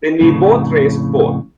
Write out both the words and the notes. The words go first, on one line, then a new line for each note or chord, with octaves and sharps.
Then we both raised both.
F2 A2 C#3